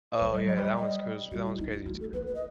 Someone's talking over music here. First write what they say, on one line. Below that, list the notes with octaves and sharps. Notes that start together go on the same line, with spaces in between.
Oh yeah, that one's cruz that one's crazy too.
B4
A3 C5
G3 D#5
F#3 D#5
G3 C5
D#5
D#5
G3 F#4
E4
B3 D#4
E4
A3 F#4
A4
B3 B4
B4
D#5